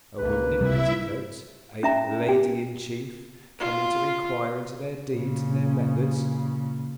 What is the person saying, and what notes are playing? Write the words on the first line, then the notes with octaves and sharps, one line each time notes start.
A woman in petticoats, a "Lady-in-Chief," coming to inquire into their deeds and their methods?
C#2 A#3 B4
C3 G3 E4 E5
C#4 E5 A#5
G4
F4
A#2 C#3